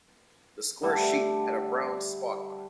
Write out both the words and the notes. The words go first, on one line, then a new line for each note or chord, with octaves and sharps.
The square sheet had a brown spot on it.
D3 G3 A3